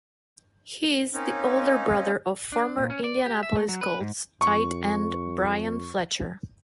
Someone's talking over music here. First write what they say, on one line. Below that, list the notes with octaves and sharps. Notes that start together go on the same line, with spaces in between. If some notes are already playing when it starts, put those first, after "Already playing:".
He is the older brother of former Indianapolis Colts tight end Bryan Fletcher.
A#3 C4 C#4 D#4
D4
A#2
C#4
D5
G4
E5
A3
F#3
B4
G#2
F2 C#6